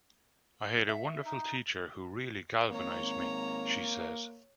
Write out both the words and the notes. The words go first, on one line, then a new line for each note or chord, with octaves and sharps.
"I had a wonderful teacher who really galvanized me," she says.
E5
D#4
G#1 A#3 C#5 A#5